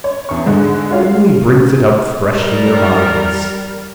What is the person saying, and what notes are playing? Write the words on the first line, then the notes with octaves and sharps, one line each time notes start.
It only brings it up fresh in their minds.
C#5
E2 C#6
G#2 D3 G#3
F4 F#4 C#5 F5
G3 A#4